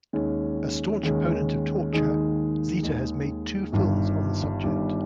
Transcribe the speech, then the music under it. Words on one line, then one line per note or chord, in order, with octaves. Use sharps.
A staunch opponent of torture, Zita has made two films on the subject.
D#2 D#3 G#3 C#4
D#2 D#3 G#3 C#4
D#2 D#3 G#3 D#4 G#4
D#2 D#3 G#3 D#4 G#4
G1 G2 D#3 G3
G1 G2 D#3 G3